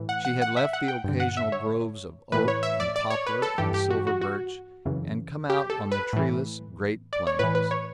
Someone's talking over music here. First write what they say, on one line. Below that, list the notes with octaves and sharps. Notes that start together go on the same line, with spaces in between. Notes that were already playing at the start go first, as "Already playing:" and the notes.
She had left the occasional groves of oak and poplar and silver birch, and come out on the treeless Great Plains.
Already playing: A2 E3
F#5
F#5
F#5
E5
F#5
G5
G2 D3
F#5
E5
C#5
A2 E3 B4
C#5
E5
D5
D5
C#5
B4
A4
G2 E3 G4
G4
F#4
F#4
F#4
F#2 C#3 E3
G4
A4
B4
A2 E3
D5
C#5
A2 E3 B4
B4
C#5